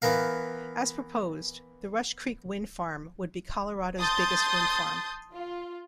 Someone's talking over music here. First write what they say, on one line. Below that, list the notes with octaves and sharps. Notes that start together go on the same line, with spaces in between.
As proposed, the Rush Creek wind farm would be Colorado's biggest wind farm.
E3 B3 A#4 F5
A5 C6 D#6 G6 A6
F4